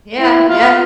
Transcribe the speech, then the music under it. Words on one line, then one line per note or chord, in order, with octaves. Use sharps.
Yeah, yeah.
E4
F4